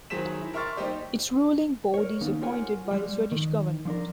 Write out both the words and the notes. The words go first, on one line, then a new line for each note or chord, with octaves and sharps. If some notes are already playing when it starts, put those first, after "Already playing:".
Its ruling board is appointed by the Swedish government.
D#3 F#3 G#4 C5 B6 E7
E4
A#4 E5 C6 C#6 F6 A6
G3 A#3 D#4 G4 C5 D5
A#4 C#5
D#3 A#3 B3 C#4 D#4
F4 G4 A#4 C#5 F#5 G#5
G3 G#3
D#3
F3 D4 A#4